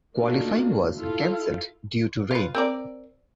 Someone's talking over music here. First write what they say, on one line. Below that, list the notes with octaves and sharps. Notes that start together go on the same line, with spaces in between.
Qualifying was cancelled due to rain.
A3 A#3 D4 D#4 F4 F#4
E4 F4 A4 F5
F4 B4
C4 A#4 D5